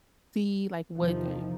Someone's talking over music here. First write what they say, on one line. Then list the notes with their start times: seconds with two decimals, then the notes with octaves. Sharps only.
see, like, what, uh,
0.97 E2 C3 D#3 F3